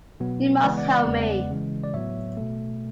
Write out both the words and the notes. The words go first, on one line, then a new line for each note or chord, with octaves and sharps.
You must help me.
B2 F#3 B3
C#3 E3 G#3 B3 B4 D5
D5 F#5
D5 F#5
E2 C#3 G#3 B3
C#3 E3 G#3
D5
A2 F#3 B3 C#5 E5
B2 A3